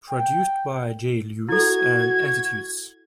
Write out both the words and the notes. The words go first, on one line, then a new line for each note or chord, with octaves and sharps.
Produced by Jay Lewis and Attitudes.
G5
E4 F#4 A4 G#6